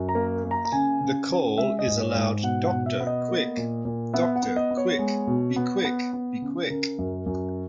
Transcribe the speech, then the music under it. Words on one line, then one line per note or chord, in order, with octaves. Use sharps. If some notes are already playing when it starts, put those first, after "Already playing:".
The call is a loud "doctor-quick doctor-quick be-quick be-quick".
Already playing: F#2
A#5
A#3
A#3
A#5
A#5
C#3 G#5
C#3
C#3
G#3 E5
D#5
G#2
C#5
G#2
B2 F#5
F#5
B2
E5
B3
D#5
A#3
A#2
A#2
B3 E5
F#5
B3
D#5
B3
C#5
G#3
B2
B3
B3
B3
C#3
C#3 A#4
F#2
F#2